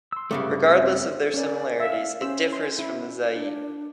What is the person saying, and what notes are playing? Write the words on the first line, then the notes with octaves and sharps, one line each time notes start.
Regardless of their similarities, it differs from the Zaï.
C6 E6
G2 C#3 A3 A4 F#5 D6
C4
C#4 A#4 D5
E5 F5
C#4 C5 E6
C6
C#4 E4
D4